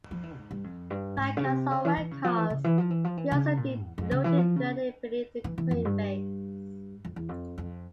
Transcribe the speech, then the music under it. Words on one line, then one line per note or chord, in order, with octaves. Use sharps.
Flatcars or well cars may also be loaded directly beneath the crane base.
F3
E3
G#2
G2
F2
G2
G#2
C#3
C3
C#3
E3
E3
C#3
F3
E3
C#3
E3
F3
E3
F3
E3
C#3
A#2
E2
F2
C#3
E3
F3
C#3
E3
E3
F2
G2
F2
E2
F2
F2